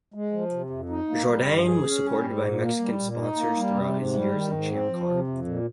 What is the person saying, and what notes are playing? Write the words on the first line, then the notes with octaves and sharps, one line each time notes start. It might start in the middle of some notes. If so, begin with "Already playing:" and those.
Jourdain was supported by Mexican sponsors throughout his years in Champ Car.
G#3
F3
C3
F2
D#4
A#3
G3
G2
G#4
C#4
G3
G#2
A#2
A#3
G3
A#2
D#4
A#3
G3
C3
G#2
G3
D#3
G#2
C4
F3
C3
F2
A#2